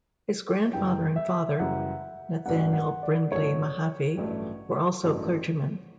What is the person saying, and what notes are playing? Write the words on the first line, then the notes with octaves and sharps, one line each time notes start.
His grandfather and father, Nathaniel Brindley Mahaffy, were also clergymen.
F#1 F#2 E3 G3 G5
E5
F#1 F#2 E3 G3 F#5
A1 G2 F#3 A3 F#5
F#5
D5
A1 G2 F#3 A3 C#5
A1 G2 F#3 A3
A1 G2 F#3 A3